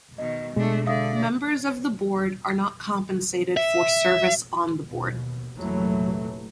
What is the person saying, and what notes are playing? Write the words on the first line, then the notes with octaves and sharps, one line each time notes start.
Members of the Board are not compensated for service on the Board.
B2 D#3 D#5
B2 G#3 A3 D4
D3 D5 E5 F5 D#6
E5
D#2 B2
F1 A#2 E3 F#3 A3